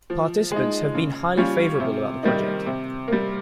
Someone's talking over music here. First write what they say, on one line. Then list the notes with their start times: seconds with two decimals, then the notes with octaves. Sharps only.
Participants have been highly favorable about the project.
0.10 F3
0.52 G#3 D#4
0.94 C#3
1.37 G3 C#4 F4
1.80 C3
2.23 D#3 G3 A#3 D#4
2.66 C3
3.08 G3 A#3